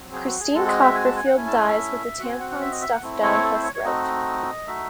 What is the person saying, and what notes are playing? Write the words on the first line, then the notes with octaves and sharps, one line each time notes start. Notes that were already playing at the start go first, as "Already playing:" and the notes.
Christine Copperfield dies with a tampon stuffed down her throat.
Already playing: F#3 C4
G#4
F#4
G#4
G#3 C4 F#4 A4
D#5
E5
G#5
A5
G#5
F#5
A3 C#4 E4 G#5
A5
G#5
E5
C4 F#4 F#5
G#5
F#5
F#5
E5
D#5
E5
F#5
A3 C4 E4
C#5
A4
C5
C#5
C#5
A3 C4 D#4 F#4 D#5
A3 D#4 F#4 E5